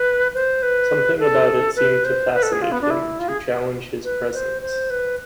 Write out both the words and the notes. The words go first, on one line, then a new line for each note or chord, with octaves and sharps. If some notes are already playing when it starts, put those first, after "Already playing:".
Something about it seemed to fascinate him, to challenge his presence.
Already playing: B4
C5
B4
A4
B4
C5
B4
A4
G#4
F4
B3
D4
E4
F4
G#4
B4
C5
C5
B4